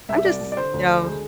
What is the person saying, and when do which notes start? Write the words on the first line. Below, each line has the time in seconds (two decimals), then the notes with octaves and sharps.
I'm just, you know,
0.09 C2 E5
0.25 C2 D5
0.41 C2
0.52 D5
0.57 D3 C5
0.73 D2
0.89 D3
1.05 G#3